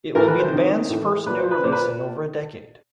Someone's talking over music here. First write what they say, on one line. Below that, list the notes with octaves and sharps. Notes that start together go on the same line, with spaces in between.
It will be the band's first new release in over a decade.
A2 E3 A#4
B4
C5
C3 D#3
A2 E3
A#2 B4
C5
B4
A#2 C5
B4